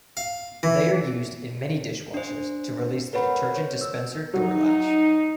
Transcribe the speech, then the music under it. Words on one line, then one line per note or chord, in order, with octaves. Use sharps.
They are used in many dishwashers to release the detergent dispenser door latch.
F5
E3
D4 C5
A#4 B4 C#5 F#5 B5
C5 C#5
E6
F#3 D#4